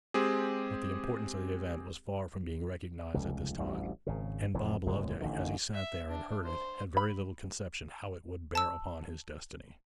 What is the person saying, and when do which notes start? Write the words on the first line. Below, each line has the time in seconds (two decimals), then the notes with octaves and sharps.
But the importance of the event was far from being recognized at this time; and Bob Loveday, as he sat there and heard it, had very little conception how it would bear upon his destiny.
0.14 G#3 C4 G4 G#4
3.14 F1 C#2
3.58 A1 D2 G3
4.07 G#1 C#3
4.54 F1 F2 G#2 E3
4.87 D1 C#2 F#2 G#3
5.20 A1 D3 D#3
5.74 E5
6.09 D4
6.45 C5
6.97 B5
8.55 A5 E6